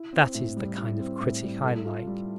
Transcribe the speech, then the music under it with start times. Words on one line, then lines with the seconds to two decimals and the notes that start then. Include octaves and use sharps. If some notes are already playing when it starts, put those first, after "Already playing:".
That is the kind of critic I like.
Already playing: E4
0.13 C4
0.35 A2
0.57 G3
0.78 E4
0.99 C4
1.20 A2
1.43 G3
1.63 A4
1.85 F4
2.07 G3